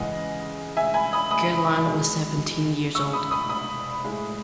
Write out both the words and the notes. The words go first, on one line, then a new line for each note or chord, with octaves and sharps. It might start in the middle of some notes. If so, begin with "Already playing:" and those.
Caroline was seventeen years old.
Already playing: C#3 E3 G#3 D#5 F#5
E5 G#5
G#5 B5
B5 D#6
B5 D#6
B2 G#3
C#6 E6
B5 D#6
B5 D#6
B5 D#6
A2 G#3